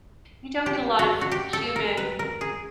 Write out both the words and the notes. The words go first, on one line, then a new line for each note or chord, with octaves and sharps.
you don't get a lot of human
G4
F#4
F#4
G4
A4
A#4
B4
A#4
G#4